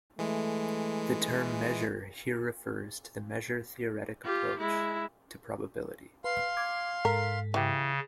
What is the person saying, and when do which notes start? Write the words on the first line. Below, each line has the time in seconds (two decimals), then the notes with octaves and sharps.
The term "measure" here refers to the measure-theoretic approach to probability.
0.19 E3 G#3 A3
4.25 F4 G4
4.60 G#3 E4
6.24 B4 F5 C6
6.57 D6 G#6
7.05 G#2 A4 A#4 B6
7.54 C#3 E3 G4